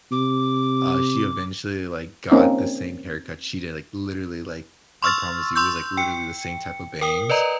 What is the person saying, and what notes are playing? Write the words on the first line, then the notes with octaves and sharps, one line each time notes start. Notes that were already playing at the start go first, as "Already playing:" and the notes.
like, uh, she eventually, like, got the same haircut she did, like, literally, like, I promise you, it was, like, literally the same type of bangs.
C3 D6
A#3 C4 C#4 D#4
C6 C#6 E6 F6 A6
C6 C#6 E6 G6
G5 C#7
A#4 G5 D#6
B4 D5 D#5 A#5